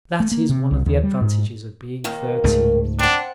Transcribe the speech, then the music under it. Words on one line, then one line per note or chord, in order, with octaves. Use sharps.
That is one of the advantages of being thirteen.
A3
A#3
C3
C2
D#2
G3
G#2
D#2 D#3 A#3
C#2 G#2 A3
C4 D4 F#5